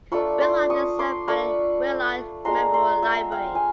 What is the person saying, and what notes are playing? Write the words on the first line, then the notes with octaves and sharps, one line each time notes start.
Willard is served by the Willard Memorial Library.
A3 D4 F4 B5 C#6
C6 D6
C#6 D#6
C6 D6
A3 D4 F4 B5 C#6
G#3 B3 D4 F4 A#5 C6
A#5 C6
E5 F#5
F5 G5
G#5